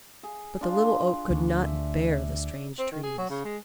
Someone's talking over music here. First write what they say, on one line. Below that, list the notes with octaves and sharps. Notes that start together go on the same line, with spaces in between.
But the Little Oak could not bear the strange Trees.
G#4
D4 F4
D2
E5
C4
D#3
G#4
F#3
C#3
G#3